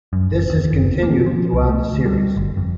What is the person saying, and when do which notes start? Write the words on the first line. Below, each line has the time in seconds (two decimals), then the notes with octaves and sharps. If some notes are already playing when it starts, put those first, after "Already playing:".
This is continued throughout the series.
0.13 F#2
0.31 F#1
0.50 D#2
0.71 F#1
1.03 A#3
1.26 F3
1.53 C2
1.69 A3
1.92 D2
2.06 G3
2.37 G1
2.57 F2